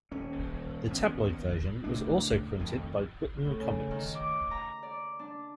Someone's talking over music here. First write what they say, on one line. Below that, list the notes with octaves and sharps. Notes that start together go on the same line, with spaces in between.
The tabloid version was also printed by Whitman Comics.
D#1 C#4
D#2 B3 C#4
C#2 A2 D4
F2 A2 D#3
A2
C#3
D#3
D6
A#5
D5
D4